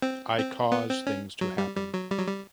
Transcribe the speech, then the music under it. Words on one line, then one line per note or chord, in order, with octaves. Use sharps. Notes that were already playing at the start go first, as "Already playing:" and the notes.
I cause things to happen.
C4
C4
B3
C4
C#4
F#3
G3
G3
F#3
G3
F#3
G3